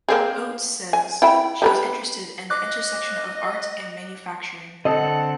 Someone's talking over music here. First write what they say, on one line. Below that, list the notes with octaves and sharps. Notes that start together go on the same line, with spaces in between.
Oates says she is interested in the intersection of art and manufacturing.
A#3 C4 G#4
G#5
E4 G5 B5
G3 A#4 B4
D#5 D6 F#6
D3 C4 A4 D#5 F#5